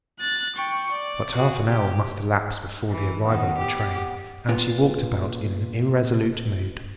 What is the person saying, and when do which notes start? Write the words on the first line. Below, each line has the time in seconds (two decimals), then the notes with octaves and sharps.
But half an hour must elapse before the arrival of a train, and she walked about in an irresolute mood.
0.20 F#6 A6
0.55 G5 C#6
0.91 D5
1.35 F#4 G#4
1.68 G4
2.90 E3
3.24 D#3 B3
3.58 G4
4.49 A#2 B3 F4